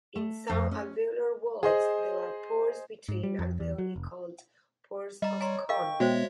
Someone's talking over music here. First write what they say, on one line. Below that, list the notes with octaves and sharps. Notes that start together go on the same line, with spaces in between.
In some alveolar walls there are pores between alveoli called Pores of Kohn.
A3
F2
C#4
G#4 C5 D#5
G#2
G3
F2
E2
F#3
F1
G3 D#5 A#5
C#5 G#5 A#5 C6
A#4 D#5 F5 G5 C#6
B2 G#3 F#4 C5 C#5 E5